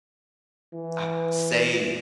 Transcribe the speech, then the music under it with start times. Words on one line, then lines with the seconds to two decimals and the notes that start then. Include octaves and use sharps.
uh, say
0.74 E3